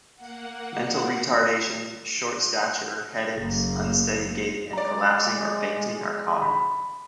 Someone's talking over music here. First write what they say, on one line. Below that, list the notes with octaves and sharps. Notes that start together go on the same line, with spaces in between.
Mental retardation, short stature, headaches, unsteady gait, and collapsing or fainting are common.
A#3 F#5
F#1 A#3
G#3 D5 A#5
B5